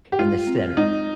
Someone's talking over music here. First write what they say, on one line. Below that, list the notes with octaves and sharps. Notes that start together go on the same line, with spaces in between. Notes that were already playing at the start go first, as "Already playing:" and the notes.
in the center,
G4
G#3 F4
C4
G#3 D#4